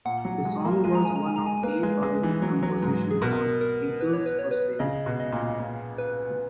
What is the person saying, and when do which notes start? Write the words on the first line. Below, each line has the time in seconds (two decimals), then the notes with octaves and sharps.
The song was one of eight original compositions on "Beatles for Sale".
0.05 A#2 F#5
0.25 F#3
0.45 G#3
0.65 A#3
0.84 G#3 G#5
0.95 A#5
1.05 G#5
1.11 G#3
1.16 A#5
1.26 G#5
1.36 G#3 A#5
1.46 G#5
1.63 A#3 B4
1.83 G#3
2.03 G#3
2.23 E3
2.42 F#3
2.63 F#3
2.82 G#2
3.11 G#4
3.22 B2 A#4
3.61 A#4
4.01 B4
4.13 C#5
4.26 B4
4.39 C#5
4.51 B4
4.79 C#3 D#5
5.06 B2
5.20 D#5
5.32 A#2
5.59 A#2
5.98 B4